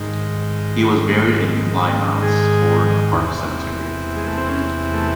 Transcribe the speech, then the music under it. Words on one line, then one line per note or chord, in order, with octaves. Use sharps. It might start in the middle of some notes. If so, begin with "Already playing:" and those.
He was buried in Plymouth's Ford Park Cemetery.
Already playing: G#2 D#3
G#4
E2 C3 E3
G#3
A3
C4
C#4
A3